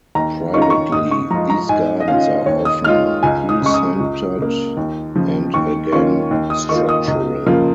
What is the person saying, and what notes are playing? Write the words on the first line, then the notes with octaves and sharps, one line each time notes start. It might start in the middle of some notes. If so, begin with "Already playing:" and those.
Privately, these gardens are often pool-centred and, again, structural.
D#2 A#5
D#3 C#4 F4 C#6
A#5
C#6
G#2 D#6
C#6
F3 G#3 F4 A#5
A#5
G#2 G#5
D#5
D#3 C#4 F4 F5
D#2 C#5
D#6
D#3 G#3 F4 F6
C#2 G#5
D#6
C#3 G#3 C#6
D#6
C#2
C#3 A#3
D#2
C#3 F3
D#2 C#6
D#3 A#3 C#4 F4 C#6
D#2
D#6
D#3 A#3 F4 C#6
D#6
C#2
C#3 F3 A#3 F4